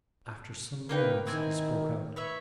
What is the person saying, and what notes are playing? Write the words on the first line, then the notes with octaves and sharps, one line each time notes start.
After some moments he spoke out.
A#3 D#4 B4 G5
D#3 C4 E4 G#5
B4 C#5 E5